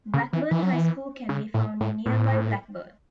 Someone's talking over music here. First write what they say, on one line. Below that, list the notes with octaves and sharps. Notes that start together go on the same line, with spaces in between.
Blackburn High School can be found in nearby Blackburn.
C#3
E3
E3
F#3
E3
C#3
A2
A2
A2